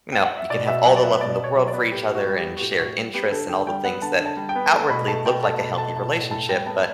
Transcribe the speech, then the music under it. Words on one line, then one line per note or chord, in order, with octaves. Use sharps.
You know, you can have all the love in the world for each other and shared interests and all the things that outwardly look like a healthy relationship, but
G5
F#5
E5
B2 D5
B2 E5
F#3 F#5
D5
B3 E5
B2 D5
B2
C#5
F#3
D5
B3
A2 G4
A2
F#4
G3
G4
B3
F#4
A2 G4
G4
A2 F#4
G3
B3 G4
D3 A4
D3 G5
G3 G5
B3 F#5
D3 A5
D3
A5
G3
G5
B3
A3 A5
B2 B5
A3 A5
B2 G5
A3 A5
B2
A3 A5
B2
A2
A2 A5
G3 G5
B3 A5